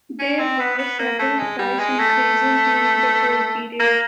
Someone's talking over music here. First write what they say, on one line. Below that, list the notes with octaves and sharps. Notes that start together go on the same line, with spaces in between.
There were several price increases during the toll period.
C#4
C4
B3
B3
A#3
A3
G#3
G3
G#3
A3
A#3